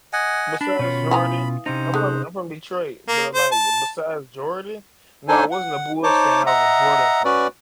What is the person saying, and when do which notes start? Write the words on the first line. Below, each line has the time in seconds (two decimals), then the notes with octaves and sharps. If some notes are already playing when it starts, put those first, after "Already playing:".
Besides Jordan. I'm from I'm from Detroit, but like, besides Jordan no, I wasn't a Bulls fan, I was a Jordan fan,
0.13 D#5 F#5 G#5
0.61 D4 B5
0.79 B2 C#4 F4 C#5
1.11 E3 F5 G#5 A#5 D#6
1.66 C3 C#4 D#4 C5
1.94 A3 G#4 D#6 F#6
3.08 A#3
3.35 C5
3.52 A5
5.28 D4 D#4 A4 C5 G#5
5.51 F#5
6.03 D#4 C5 C#5 A5 D6
6.46 D#5 E5 F#5 A#5
7.25 C#4 F#4 B4 D5